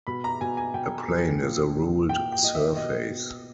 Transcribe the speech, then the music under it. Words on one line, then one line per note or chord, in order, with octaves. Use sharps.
A plane is a ruled surface.
B2 B5
A#5
B2 G#5
G#5
B2 G5
B2
A#2
A#2
A#2 G5
G5
A#2 D#5
E5
B2 D#5
B2